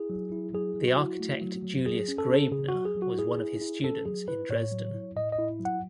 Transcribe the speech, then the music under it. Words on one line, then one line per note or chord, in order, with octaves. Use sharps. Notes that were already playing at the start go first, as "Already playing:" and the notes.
The architect Julius Graebner was one of his students in Dresden.
Already playing: E4 G#4
F#3
E4
F#3 G#4
F#3
F#4
E4
A3
F#3
F#3
F#3 G#4
C#4
A4
C#4
C#3 G#4
F#4
F#3
G#4
F#3
F#4
E4 G#4
E4
E4
C#4 A4
F#3 G#4
E4 B4
A2 C#5
F#3
E4
A2 D#5
D#5
E4
F#3
F#5